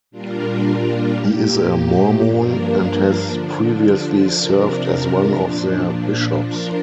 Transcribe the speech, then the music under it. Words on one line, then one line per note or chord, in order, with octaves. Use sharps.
He is a Mormon and has previously served as one of their bishops.
A#2 G3 D4 F4 A#4
A#2 A#3 G4
G2 F3 A#3 D4 A#4
D3 F3 D4
C3 F3 D4 A#4
A#2 F3 D4
F3 D4 F4 A#4